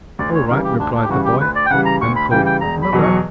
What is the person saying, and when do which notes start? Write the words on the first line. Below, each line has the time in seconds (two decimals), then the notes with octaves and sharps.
'All right,' replied the boy, and called 'Mother!'
0.19 D2 D5
0.35 C#5
0.49 C#3 E3 G3 A#4
0.64 G4
0.79 D2 D4
0.94 D4
1.04 G4
1.09 C#3 E3 G3 F#4
1.25 G4
1.40 D2 B4
1.55 D5
1.66 G5
1.70 C#3 E3 G3 F#5
1.86 A#5
2.01 D2 C#6
2.16 B5
2.31 C#3 E3 G3 G5
2.46 G5
2.61 E1 A#5
2.82 B5
2.92 E2 B2 F#3
3.03 C#6